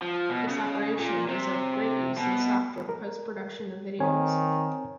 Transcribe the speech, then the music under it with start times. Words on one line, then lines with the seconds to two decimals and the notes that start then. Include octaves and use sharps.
This operation is of great use in software for post-production of videos.
0.02 F3
0.29 B2
0.48 C#3
0.99 A#2
1.28 C3
2.18 B2
2.89 A#4
4.00 D#3 C4 C#5 G#5